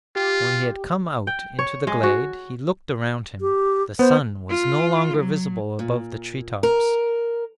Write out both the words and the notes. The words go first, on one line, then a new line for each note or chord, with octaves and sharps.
When he had come out into the glade he looked around him; the sun was no longer visible above the tree-tops.
F4 G4
G5
C#5
G#3
F#4
G4
B3 C5
F4
F#3
A#2
A#4